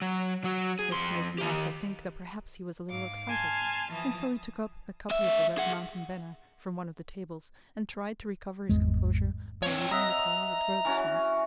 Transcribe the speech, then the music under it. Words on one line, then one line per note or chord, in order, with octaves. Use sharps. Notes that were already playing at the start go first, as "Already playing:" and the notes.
This made the master think that perhaps he was a little excited, and so he took up a copy of the RED MOUNTAIN BANNER from one of the tables, and tried to recover his composure by reading the column of advertisements.
F#3
F#3 F#4
G#4
F2 C6
D#3 G4
G#2 F5 D6
G#5 A5 C6 F6 G6 G#6
E3 F3 A5 D#6
G#3 E5
G#4 F#5
G#1 E2 G#3
C4 C#5
D#5 E5 F#5 A#5
E3 C#4 F#4